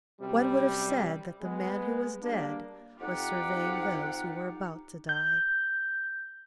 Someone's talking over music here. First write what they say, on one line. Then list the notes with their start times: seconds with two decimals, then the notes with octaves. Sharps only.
One would have said that the man who was dead was surveying those who were about to die.
0.20 F#2 C3 G3
1.41 G#3 B3
2.21 G3 A#3 D4
3.00 F2 D#4 F4 G4 F#5
5.09 G6